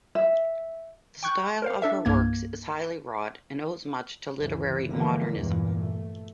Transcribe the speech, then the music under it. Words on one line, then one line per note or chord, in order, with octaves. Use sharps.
The style of her works is highly wrought and owes much to literary modernism.
E5
G5 C#6 F#6 G6
A#4 C5 F5
D4 A4 E5
C2 G2 A#3 G#6
D2 G2 C#3 E3
D3 E3 F3 G#3 A#3
E2 G2 A#2
A3